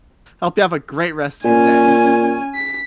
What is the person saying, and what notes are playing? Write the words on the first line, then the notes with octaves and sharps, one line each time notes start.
Hope you have a great rest of your day.
A#2 C#4 G#5
B6